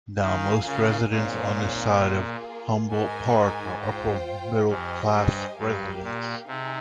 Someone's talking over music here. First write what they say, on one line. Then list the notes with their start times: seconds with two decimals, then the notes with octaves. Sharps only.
Now most residents on this side of Humboldt Park are upper middle class residents.
0.21 D#3 F4 A#4 F5 G#5
0.66 C#3
1.10 A#2 C4 D#4 G#4 C#5 F5
2.00 A#3 F4 G#4
2.90 G#2 D#4 A#4 D#5 G#5
3.79 F4 C5 G5
4.69 F2 G4 C5 D#5 G#5
5.13 G2
5.58 G2 G4 A#4 F5
6.03 A#2
6.48 C3 C4 D#4 G#4